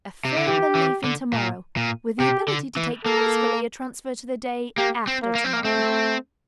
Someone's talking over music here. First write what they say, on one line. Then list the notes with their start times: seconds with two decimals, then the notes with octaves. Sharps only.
A firm belief in to-morrow with the ability to take gracefully a transfer to the day after to-morrow.
0.25 C3
0.36 D3
0.47 E3 G4
0.75 E3
1.04 D3
1.33 A#2
1.77 A#2
2.19 C3 G4
2.48 D3
2.77 E3
3.05 A#3 A4
4.78 A#3 G4
5.07 C4
5.22 A#3
5.35 A#3
5.44 C4
5.53 A#3
5.64 A3 C4